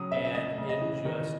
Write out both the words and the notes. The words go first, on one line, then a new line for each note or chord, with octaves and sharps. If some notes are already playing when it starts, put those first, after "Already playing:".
and it just
Already playing: C#3 F#3 D#6
C#3 E5
E5
A3 D#5
C#3
D#5
E3
D#3